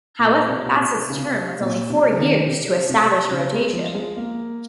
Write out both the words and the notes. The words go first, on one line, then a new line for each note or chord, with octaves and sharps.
However, Bassett's term was only four years to establish a rotation.
A#2
C3
A#2
C3
C#3
C3
A#2
C3
C#3
D#3
C3
C3
C#3
G#3
F3
G#3
A#3